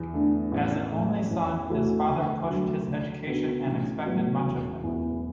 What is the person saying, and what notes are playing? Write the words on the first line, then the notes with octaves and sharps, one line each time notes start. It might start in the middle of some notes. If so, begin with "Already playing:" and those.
As an only son, his father pushed his education and expected much of him.
Already playing: E2
D3 A3 D4
A1
A2 A3
E2
E3 A3 F#4 A4
D2
D3 F#3 A3
D2
D3 B3 F#4 A4
A1
A2 F#3 B3 F#4
E1
E2 E3 B3